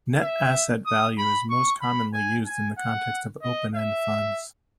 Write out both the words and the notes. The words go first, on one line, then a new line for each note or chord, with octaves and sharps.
Net asset value is most commonly used in the context of open-end funds.
E5
D#6
B5
C#6
B5
G#5
G#5
F#5
D#5
E5